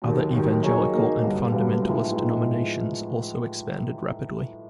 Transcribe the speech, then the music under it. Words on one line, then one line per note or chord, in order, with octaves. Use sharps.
Other evangelical and fundamentalist denominations also expanded rapidly.
D#2 D#3 F#3
D#2 D#3 F#3
F#3 A#3 D#4 G#4 C#5
F#3 A#3 D#4 G#4 C#5
G2 D3 F#3 B3
G2 D3 F#3 B3
A2 F3 G#3 B3 D#4
A2 F3 G#3 B3 D#4